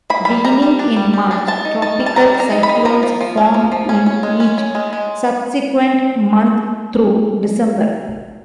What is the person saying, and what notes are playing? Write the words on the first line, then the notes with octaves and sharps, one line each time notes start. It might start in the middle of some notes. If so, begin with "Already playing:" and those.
Beginning in March, tropical cyclones formed in each subsequent month through December.
A#3 B5
G3 B5
G3 A#5
G3
D4
G3
G3
D4
B3 A5
D#4
D#4 A5
G3
A5
G3 A#5
G3
A#5
D#4
B5
D#4
F3 A#5
F3
F3
C#4
F3
F3
C#4
C#4
G#3
C#4
C#4
G#3
G#3